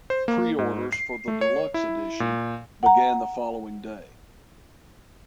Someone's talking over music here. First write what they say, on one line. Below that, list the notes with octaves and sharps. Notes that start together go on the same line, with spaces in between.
Preorders for the deluxe edition began the following day.
C5
A#3
G#2
C7
A3
C#5
E4
A#2
F#5 A#5